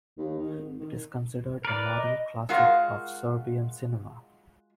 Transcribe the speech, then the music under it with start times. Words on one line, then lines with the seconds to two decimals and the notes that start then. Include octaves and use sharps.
It is considered a modern classic of Serbian cinema.
0.18 D#2
0.39 D#3
0.58 G#1
0.79 D#3
1.65 A#4 B4 D5
1.97 D#5
2.49 G#3 F4 F#4 A#4 F5